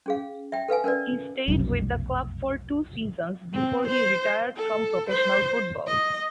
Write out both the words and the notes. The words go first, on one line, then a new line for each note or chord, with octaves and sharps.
He stayed with the club for two seasons before he retired from professional football.
C#4 G#4 F5
E5 G5
A4 B4 F5 G#5
C#4 A#4 B4 D5
F1 B1 F#2
C4
C5
A4
C5
D#5